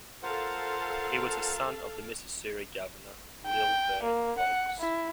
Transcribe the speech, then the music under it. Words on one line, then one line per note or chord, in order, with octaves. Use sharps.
He was a son of the Missouri Governor Lilburn Boggs.
F4 A4 A#4 C5 F5 F#5 A5
G5
A#3
F#5
E4